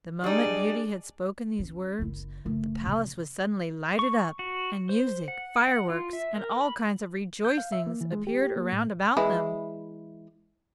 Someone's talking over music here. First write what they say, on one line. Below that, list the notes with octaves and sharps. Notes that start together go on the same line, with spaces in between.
The moment Beauty had spoken these words, the palace was suddenly lighted up, and music, fireworks, and all kinds of rejoicings, appeared round about them.
G3 D4 D#4 G#4 D5
C#4
F#1 E4
F#1 A3
C3 F3
C#6
F#4
C5
F#5
F#5
F4
E5
A#4
B5
G6
F5
E5
A#3
E3
G#3
G4
G4
A#3
A2
E3 G#3 E4